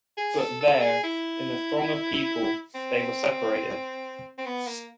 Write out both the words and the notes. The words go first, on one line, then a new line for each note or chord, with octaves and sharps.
But there, in the throng of people, they were separated.
G#4
A4
A4
G#4
E4
C4
C4
B3
A#3